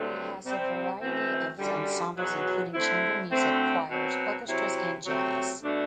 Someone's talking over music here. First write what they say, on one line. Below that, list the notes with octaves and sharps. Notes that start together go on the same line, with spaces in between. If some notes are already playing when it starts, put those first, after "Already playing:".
The has a variety of ensembles including chamber music, choirs, orchestras and jazz.
Already playing: G2 D3 F#3 A3 C4
C3 G3 C4
F#2 E3 A3 C4
F#2 D3 G3
E2 B2 F#3
D3 A3 C4 E4
D2 D3 A3 C4
B2 F#3 C4
C3 F#3 C4 E4
C3 F#3 A3 C4
B2 A3 D4